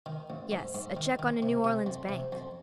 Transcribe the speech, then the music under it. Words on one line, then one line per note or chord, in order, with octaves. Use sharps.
"Yes, a check on a New Orleans bank."
D#3
A1
G#2
G#2
D#3
D#3
C3
C3
F2
C3
F2